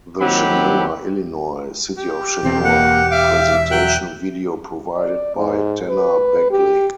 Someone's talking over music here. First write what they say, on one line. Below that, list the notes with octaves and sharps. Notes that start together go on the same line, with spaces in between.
The Chenoa Illinois, City of Chenoa Presentation video Provided by Tanner Bagley.
A#2 D#3 F#3 C4 G4 B5
G4
E1 E2 C4
A#3 F#5
E5 F5 D6
F#3 G5 F#6
D5
G#2
B4
G4